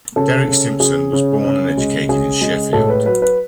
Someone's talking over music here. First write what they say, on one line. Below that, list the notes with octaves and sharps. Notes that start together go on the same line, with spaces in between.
Derek Simpson was born and educated in Sheffield.
C#3 A4
C#3
C#3 G#4
C#3
C#3
G#3
C#3 G#4
G#3
A2 A4
B4
F#3 B4
B4